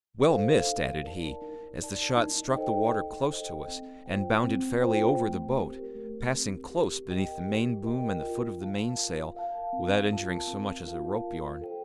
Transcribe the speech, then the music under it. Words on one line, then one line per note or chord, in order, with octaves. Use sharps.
"Well missed!" added he, as the shot struck the water close to us, and bounded fairly over the boat, passing close beneath the main-boom and the foot of the mainsail, without injuring so much as a ropeyarn.
A4 C5 F5
D#4
A#4 D5 A5
D#4
A#4 D5 A5
D#4
A4 C5 D#5 G5
D#4
A4 C5 D#5 G5
C4
F4 C5 G5
C4
F4 C5 G5
A3
C4 G4 A#4
A3
C4 G4 A#4
G4
A#4 D#5 G5
G4
A#4 D#5 G5
F4
A#4 F5 A5
F4
A#4 F5 A5
C4
F4 A#4 F5 A5
C4
F4 A#4 F5 A5
F4
A4 C5 G5